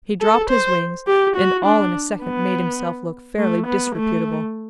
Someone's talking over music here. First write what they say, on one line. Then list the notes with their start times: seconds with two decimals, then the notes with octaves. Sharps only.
He dropped his wings and all in a second made himself look fairly disreputable.
0.21 A4
0.50 C5
1.07 G4
1.36 F#4
1.66 D4
2.23 B3
3.39 A3
3.67 B3
3.96 A3